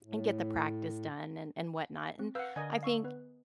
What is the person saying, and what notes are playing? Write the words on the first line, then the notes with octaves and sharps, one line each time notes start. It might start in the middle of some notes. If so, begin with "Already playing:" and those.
and get the practice done and and whatnot. And, I think
A2
C4
B4 F5 F#5 E6 G6
D3 A#4 D#5 G#5
F5 C#6 E6
B3 B4